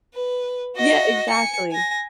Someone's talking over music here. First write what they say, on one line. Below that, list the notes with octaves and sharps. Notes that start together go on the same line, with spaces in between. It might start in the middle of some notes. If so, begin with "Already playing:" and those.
Yeah, exactly.
B4
F#4 D#5
G#5 C#7
G#5 A#6